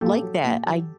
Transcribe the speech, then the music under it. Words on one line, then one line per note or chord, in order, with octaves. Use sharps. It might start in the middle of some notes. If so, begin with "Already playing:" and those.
like that. I
A#2 G4 A4
F#3
A#2
F#3